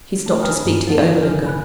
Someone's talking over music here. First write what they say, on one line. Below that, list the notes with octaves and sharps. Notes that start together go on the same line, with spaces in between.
He stopped to speak to the overlooker.
A3 D4
G5 G#5 A#5 B5 D#6 F6
G2
F3 A#3 F#5 A5
A#4 G#5 F6 G6
G#5 B5 F#6